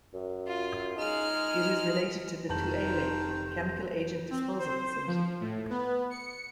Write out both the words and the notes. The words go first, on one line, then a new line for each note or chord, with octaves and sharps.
It is related to the Tooele Chemical Agent Disposal Facility.
F#2
F4
G#3 D#4 F6
F1 D#3 C5 A5 F#7
C4
C5
F3
A2
B3
C#7